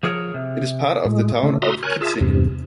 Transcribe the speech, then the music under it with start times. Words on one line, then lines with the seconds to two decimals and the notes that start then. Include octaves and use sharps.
It is part of the town of Kitzingen.
0.03 F3 G#4 A#4 C#5
0.34 C3
1.05 A2 G#3
1.43 C#3 A3
1.62 F#4 E5 A#5 C6 D#6
1.83 A#4 C#5 G#5 F#6
2.01 F4 G#4 E5 A5
2.21 E2 G2 C3